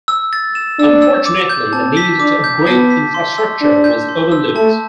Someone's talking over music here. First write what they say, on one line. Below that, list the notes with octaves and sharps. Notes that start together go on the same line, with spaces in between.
Unfortunately, the need to upgrade infrastructure was overlooked.
E6
A6
E7
D4 E6
E6
D6
G6
C4 A5
B6
D4 D6
G6
B3 A5
B6
C6
E6
D4 A5
G6
C6
E6
A3 A5